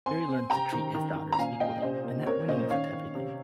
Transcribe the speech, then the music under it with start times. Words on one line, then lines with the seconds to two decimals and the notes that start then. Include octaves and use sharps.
Jerry learns to treat his daughters equally and that winning isn't everything.
0.06 C4 G#5 C6
0.28 C4
0.50 C3 G5 A#5
0.73 D#3
0.95 D#3
1.16 D#3
1.32 A#5
1.38 A#2 F5 G#5
1.60 A#2 D#5 G5
1.82 C3 C5 D#5
2.04 A#3
2.26 C4 A#4 C#5
2.48 A#2 C5 D#5
2.70 D#3 C#5 F5
2.93 D#3
3.15 C3